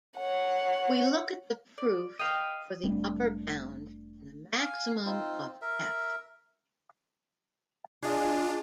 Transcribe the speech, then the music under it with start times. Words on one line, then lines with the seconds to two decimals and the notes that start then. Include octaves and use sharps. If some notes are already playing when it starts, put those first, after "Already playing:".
We look at the proof for the upper bound and the maximum of "f".
0.18 C#5 F#5
1.78 D5
2.19 B4 D#5 F5 G5
2.84 F1 G3 A3 C4 D4
4.59 F5 G#5
5.06 C4 D#4 F4
5.62 A#4 E5
8.03 D4 F4 G#4 D#5